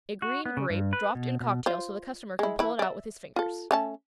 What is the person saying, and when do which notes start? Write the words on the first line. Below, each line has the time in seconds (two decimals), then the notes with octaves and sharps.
A green grape dropped in a cocktail so the customer can pull it out with his fingers.
0.22 F#4
0.46 B3
0.57 C#3
0.70 G2
0.93 B4
1.15 B2
1.40 B2
1.66 F4 C5
2.39 G#3 E4
2.59 E3 E4
2.79 D5 E5
3.36 F4 A4
3.71 A3 C#4 A5